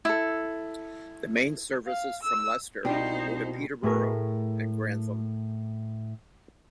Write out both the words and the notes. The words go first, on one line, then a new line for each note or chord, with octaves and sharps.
The main services from Leicester were to Peterborough and Grantham.
E4 A4
F5
E6
C2 B2 G3 D#4 F4 C5
A2 A3 G#4 A#4